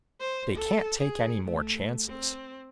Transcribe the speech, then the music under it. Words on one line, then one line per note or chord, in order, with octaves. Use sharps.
They can't take any more chances.
C5
A4
G#4
A3
C4